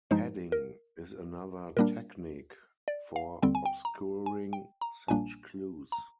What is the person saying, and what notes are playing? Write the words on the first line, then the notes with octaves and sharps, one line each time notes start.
Padding is another technique for obscuring such clues.
G2 F3 G#3 D#4 C5
A#4
A#2 G3 A#3 D4 A#4
D5
F5
D#2 D3 G3 C4 G5
G#5
G5
A#5
G#5
G5
A#5
A#1 A#2 G3 A#3 D4 G#5
A#5